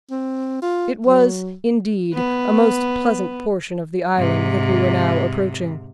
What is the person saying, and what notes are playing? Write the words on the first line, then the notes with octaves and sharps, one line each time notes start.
It was, indeed, a most pleasant portion of the island that we were now approaching.
C4
F4
F#3
B3
G#2 C3